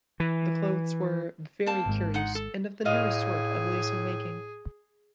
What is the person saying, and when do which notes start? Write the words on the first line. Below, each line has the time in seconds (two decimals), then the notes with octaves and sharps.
The clothes were "very curious and of the newest sort of lace and making".
0.20 E3
1.66 A#3 C4 A5
1.86 G#1 G#2
2.14 G#3 D#4 F#5
2.35 A4
2.85 A2 F4 G#4 D#5 F5